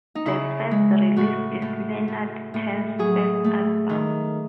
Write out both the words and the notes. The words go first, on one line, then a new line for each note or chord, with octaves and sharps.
The first release is Leonard Tan's first album.
D#4
C#3 E4
G#3
A2 F#4
A2
A2
A2
F#3 G#4
A3
D#3